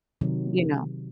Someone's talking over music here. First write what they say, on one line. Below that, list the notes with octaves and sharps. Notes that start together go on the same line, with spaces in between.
you know,
C3 D#3 F#3